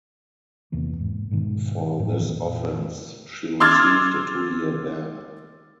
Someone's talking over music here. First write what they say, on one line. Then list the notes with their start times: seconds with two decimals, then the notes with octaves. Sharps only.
For this offence she received a two-year ban.
0.72 E2 C3 E3 A#3
0.99 G#2
1.31 G#2 B2 D#3 G#3
1.99 F#2 A2 D#3 F3
2.21 F2 A#2 E3
3.60 C6 D6 E6 F6 G#6 A6